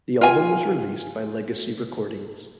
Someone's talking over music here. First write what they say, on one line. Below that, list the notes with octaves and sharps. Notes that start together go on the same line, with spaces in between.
The album was released by Legacy Recordings.
F4 G#5